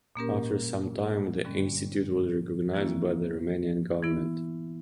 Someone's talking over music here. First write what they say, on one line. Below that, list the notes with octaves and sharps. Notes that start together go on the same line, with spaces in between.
After some time the institute was recognized by the Romanian government.
A#2 A#3 C#4 G4 A#4
G2 D3 G3 C#4
E3 A#3 C#4 E4
E3 B3 E4